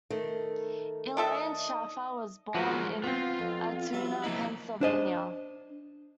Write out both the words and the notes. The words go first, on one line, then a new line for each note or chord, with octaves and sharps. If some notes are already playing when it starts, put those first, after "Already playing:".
Elaine Shaffer was born in Altoona, Pennsylvania.
D#3 A3
D4 A4 D#5 E5
F3 F#3 G#3 F#4 A#4 B4
B3 C4 F4
F2
F#3 G3 E5
F3 A#3 D#4 E4
D4 C5 D#5